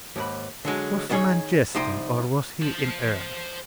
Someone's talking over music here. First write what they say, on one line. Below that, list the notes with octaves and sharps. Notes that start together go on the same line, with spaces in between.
Was the man jesting, or was he in earnest?
D#2 G#2 B5
D3 F#3 G#3
D#3 B3 C#4 D#4 G#4 C#5
C2 F3 D#4 C5 G5 C6
C5 A5